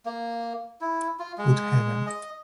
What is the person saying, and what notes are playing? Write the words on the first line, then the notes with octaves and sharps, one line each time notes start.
Good heaven!
A#3
E4
F4
G#3
D#5